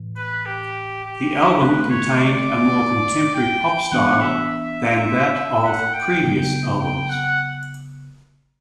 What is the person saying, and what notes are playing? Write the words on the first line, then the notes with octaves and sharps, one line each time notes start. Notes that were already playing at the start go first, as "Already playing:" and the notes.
The album contained a more contemporary pop style than that of previous albums.
Already playing: A2 E3
B4
G4
G4
D3 A3 C#4 B4
C#5
D5
G5
E3 B3 D4 F#5
E5
F#5
G5
C#3 F#3 B3 G5
G5
F#5